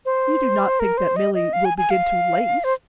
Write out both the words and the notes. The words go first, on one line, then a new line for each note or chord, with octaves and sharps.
"You do not think that Milly will begin to lace?"
C5
A#4
C5
D#5
D#5
F5
G#5
G#5
F5
C5